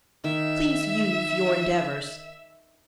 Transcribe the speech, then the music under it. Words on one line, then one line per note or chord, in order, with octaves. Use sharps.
Please use your endeavors.
D#3 E5